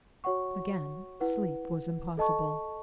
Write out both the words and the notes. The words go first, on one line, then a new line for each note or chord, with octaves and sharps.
Again sleep was impossible.
F#4 C#5 F#5 C#6
E4 B4 F#5
A4 D#5 A5 C#6